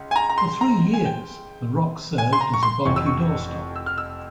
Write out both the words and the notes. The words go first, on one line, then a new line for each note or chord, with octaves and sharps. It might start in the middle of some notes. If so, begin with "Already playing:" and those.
For three years, the rock served as a bulky doorstop.
Already playing: C#2
G#5
A#5
A#5
C6
A#5
G#5
G5
G#5
C6
A#5
C#6
C6
F1 F2 E3 C#6
E6
C#6
E6
F6
E6